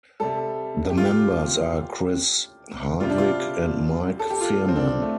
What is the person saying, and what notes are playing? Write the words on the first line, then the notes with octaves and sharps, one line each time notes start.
The members are Chris Hardwick and Mike Phirman.
C3 G3 A4
G4
F4
G4
C3 G3 F4
D4
F4
A4
G4
F4
C4
D4
A3